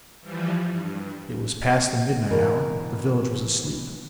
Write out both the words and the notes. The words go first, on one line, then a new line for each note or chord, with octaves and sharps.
It was past the midnight hour; the village was asleep.
E3 F3 G3
G2
B2 E3 D4 A#4